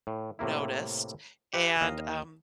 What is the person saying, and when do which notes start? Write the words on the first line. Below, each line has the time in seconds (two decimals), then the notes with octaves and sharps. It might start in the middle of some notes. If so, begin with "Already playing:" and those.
noticed, and, um,
0.07 A2
0.39 A2 C3 A#3 E4
1.53 G4 B4 E5
1.81 D#2 D#5 F5